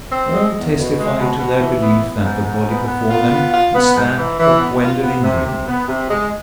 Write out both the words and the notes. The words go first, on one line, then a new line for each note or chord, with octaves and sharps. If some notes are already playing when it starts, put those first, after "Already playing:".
All testify to their belief that the body before them is that of Gwendoline Wynn.
C4
G#3
E2
B2
G#3
B2
B2
E3
B3
B3
G#2
G#2
B3
B3
F4
B3
F4
B3
G#2
E3
E3
B3
F4
B3
C3
C3
B3
C3
G#3